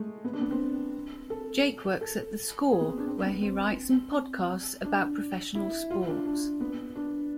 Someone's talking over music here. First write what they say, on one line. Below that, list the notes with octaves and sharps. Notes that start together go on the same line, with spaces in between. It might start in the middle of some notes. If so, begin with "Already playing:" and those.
Jake works at The Score where he writes and podcasts about professional sports.
Already playing: G#3 A3
B3
D4
B3
C4
A4
A4
G#4
B3
C4
D4
C4
B3
C4
D4
E4
F4
D4
D4
B3
D4